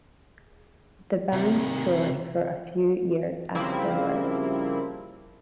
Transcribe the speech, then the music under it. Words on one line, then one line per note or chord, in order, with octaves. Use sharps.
The band toured for a few years afterwards.
C3 D#3
C#3 F3 G3 A#3 C4 E4